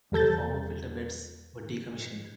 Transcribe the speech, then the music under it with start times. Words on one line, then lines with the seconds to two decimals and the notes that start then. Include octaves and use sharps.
The former filter beds were decommissioned.
0.12 E2 G3 A4 G6 A6